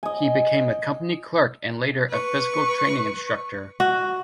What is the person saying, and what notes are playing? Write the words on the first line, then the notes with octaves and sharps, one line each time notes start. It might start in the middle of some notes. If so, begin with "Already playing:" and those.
He became a company clerk and later a physical training instructor.
D#5 G#5
B4 C#6
F#4